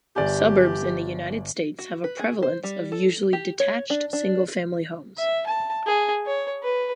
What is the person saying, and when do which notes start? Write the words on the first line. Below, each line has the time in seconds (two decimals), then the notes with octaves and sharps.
Suburbs in the United States have a prevalence of usually detached single-family homes.
0.16 G1 G4 D5 G#5
1.79 F#4
2.04 B4
2.19 G#4
2.42 C5
2.64 G3
2.92 A4
3.33 G4
3.60 C#5
3.90 D4
4.13 D4
5.18 E5
5.47 A5
5.86 G#4
6.26 C#5
6.63 B4